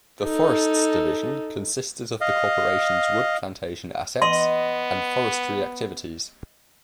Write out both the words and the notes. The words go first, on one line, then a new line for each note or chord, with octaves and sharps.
The Forests Division consisted of the corporation's wood plantation assets and forestry activities.
D#4 A4
D#5 F5
B3 D#5 C6